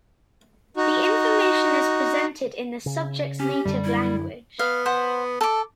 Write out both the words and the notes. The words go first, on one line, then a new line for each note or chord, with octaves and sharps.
The information is presented in the subject's native language.
D#4 F#4
C#3
C#4 G4
F#2 D3 G3
E4
B3 F5
C5 F#5 B5
A4 A5 D6